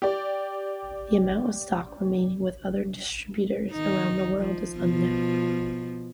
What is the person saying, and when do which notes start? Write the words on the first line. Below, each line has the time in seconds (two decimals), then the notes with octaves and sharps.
The amount of stock remaining with other distributors around the world is unknown.
0.02 G4 D5
3.72 D#3 D#4
4.38 F3
4.78 B2 F3